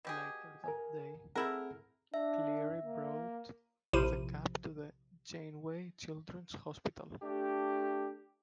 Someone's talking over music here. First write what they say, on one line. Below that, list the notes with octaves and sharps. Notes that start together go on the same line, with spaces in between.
Later that day, Cleary brought the Cup to the Janeway Children's Hospital.
B2 G4 G#4
A#4 G#5
A3 C4 E4 G#4 A#4 F#5
D4 E5
A#3
A#1 C3 F3 E4 D#7
A3 D4 G4